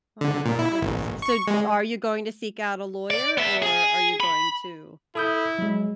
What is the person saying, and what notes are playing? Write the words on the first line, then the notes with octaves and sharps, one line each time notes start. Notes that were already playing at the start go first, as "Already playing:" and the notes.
oh my goodness, so g are you going to seek out a lawyer, or are you going to
D3
A#2
E4
A1
C#6
G#3
D5
B3 E5
G#4
B5
E4 A4 D#6 G6
F#3 G#3